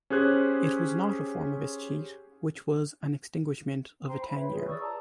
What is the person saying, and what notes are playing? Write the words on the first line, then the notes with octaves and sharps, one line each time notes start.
It was not a form of escheat, which was an extinguishment of a tenure.
C#4 G4 G#4 C5 F#6 G#6
C5 G5 A#5 C6
B5
B4 C#5 E5
F4 G#4 B4 C#5
D5 C#6 D#6 E6
A5 A#5